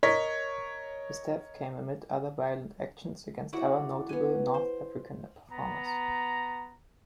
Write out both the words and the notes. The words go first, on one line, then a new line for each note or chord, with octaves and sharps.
His death came amid other violent actions against notable North African performers.
A#4 C#5 D#5 B6
E4 F#4 D5 F#5
B3 G#5
C5
B3 A#5